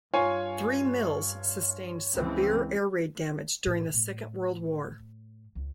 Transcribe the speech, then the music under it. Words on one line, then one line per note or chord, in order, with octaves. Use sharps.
Three Mills sustained severe air-raid damage during the Second World War.
G2 F4 C#5 G#5
C#2 E3 C4
A2
A2
C#2